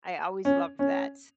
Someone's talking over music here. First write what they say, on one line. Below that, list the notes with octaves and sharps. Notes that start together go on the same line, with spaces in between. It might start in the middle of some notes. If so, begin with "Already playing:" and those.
I always loved that.
C#4
C#4